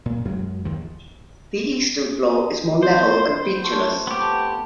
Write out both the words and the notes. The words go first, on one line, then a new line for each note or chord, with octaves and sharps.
The eastern floor is more level and featureless.
A#2
F#2 F#3 G#3
D#2 D#3 F3
D#5
G3 B3 C4 C5
F3 A3 C6
B3 G4 A4